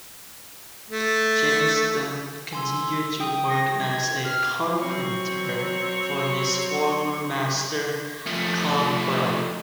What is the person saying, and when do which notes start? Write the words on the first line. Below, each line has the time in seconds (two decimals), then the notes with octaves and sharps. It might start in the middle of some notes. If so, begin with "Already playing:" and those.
James Dunn continued to work as a carpenter for his former master Caldwell.
0.90 A3
2.53 G#5 C6 E6
3.20 G5 D#6
3.49 A#6
3.80 G#6
4.24 F6
4.79 F#3 C4 C#5
8.27 F3 A3